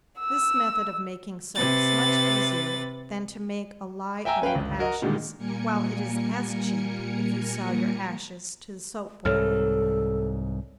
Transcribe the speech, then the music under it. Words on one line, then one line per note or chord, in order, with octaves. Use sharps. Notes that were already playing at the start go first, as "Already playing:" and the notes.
This method of making soap is much easier than to make a lye of your ashes, while it is as cheap, if you sell your ashes to the soap-boiler.
E6
C3 B4 A6
E5 G5 G#5 A#5 E6
C#4 B4 F5 G5
G1 C#2
F#4 A#4 D#5
A#2 D3 D#3 G3 G#3 A#3
A#2 G3 A#3 A#4 G#5 C#7
C2 G#2 A4 C#5 F6